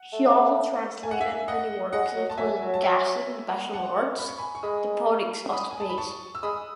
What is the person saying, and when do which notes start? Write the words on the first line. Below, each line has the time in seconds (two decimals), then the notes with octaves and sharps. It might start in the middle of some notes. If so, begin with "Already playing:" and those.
She also translated many works, including Gaston Bachelard's "The Poetics of Space".
Already playing: F#5
0.13 A3
1.03 G#5
1.11 F#5
1.21 E5 G#5
1.48 D#5 F#5
1.93 G#3 D#5 F#5
2.15 F#3
2.30 A5
2.37 F#3 E5 G#5
2.61 F#3
2.74 A5
2.83 E5 G#5
3.73 F#5 A5
4.18 B5
4.28 C#6
4.38 G#5 B5
4.55 C#6
4.63 G#3 B5 D#6
5.52 B5 D#6
5.71 G#5
5.80 A5
5.89 B5
5.98 A5 C#6
6.35 E6
6.43 G#3 B5 D#6